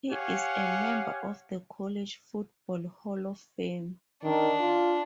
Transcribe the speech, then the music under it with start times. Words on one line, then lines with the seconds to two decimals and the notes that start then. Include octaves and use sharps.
He is a member of the College Football Hall of Fame.
0.11 G4 C#5 F5 F#5 G#5
4.23 D#3 D4
4.60 F4